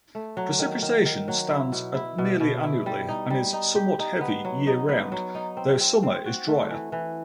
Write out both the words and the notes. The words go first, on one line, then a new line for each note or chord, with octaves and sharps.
Precipitation stands at nearly annually, and is somewhat heavy year-round, though summer is drier.
A3
F#3
D#3
D#3
D#3
F#3
E4
B2
E4
B2
B2
E4
G3
D#4
G3
D#4
G4
D#4
B3
F#3
D#4
B3
F#3
D#4
C4
C4
C4
F#4
A3
E3
E3